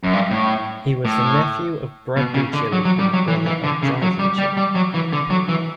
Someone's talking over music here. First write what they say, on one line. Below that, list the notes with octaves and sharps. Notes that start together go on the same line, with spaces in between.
He was the nephew of Bradbury Cilley and brother of Jonathan Cilley.
F#2
G2
A2
A2
B2
C#3
D3
F#3
F#3
G3
F#3
E3
E3
D3
C#3
F#3
G3
G3
G3
F#3
E3
D3
F#3
E3